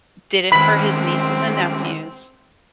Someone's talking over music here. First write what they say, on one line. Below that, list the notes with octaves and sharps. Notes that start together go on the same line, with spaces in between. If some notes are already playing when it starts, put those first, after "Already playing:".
Did it for his nieces and nephews.
C2 D#3 G#3 C4 B4 G5 B5